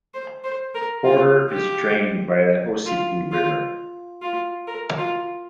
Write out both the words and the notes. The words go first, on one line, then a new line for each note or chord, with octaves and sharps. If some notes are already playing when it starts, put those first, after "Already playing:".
Porter is drained by the Ossipee River.
C5
C5
A#4
F4
G4
F4
F4
F4
A#4
F4